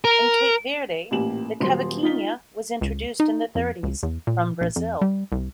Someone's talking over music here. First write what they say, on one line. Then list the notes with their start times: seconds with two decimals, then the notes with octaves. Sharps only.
In Cape Verde the cavaquinho was introduced in the thirties from Brazil.
0.05 A#4
1.11 A1 A#2 A#3 G4 E7 F#7
1.60 D#1 F#3 C5 C6
2.03 D#4 F4 B6 G7
2.81 C#2
3.20 D#4
3.55 F2
3.83 C#2
4.03 E2
4.27 A#2
4.61 A#1
4.76 F2
5.01 G3
5.32 C2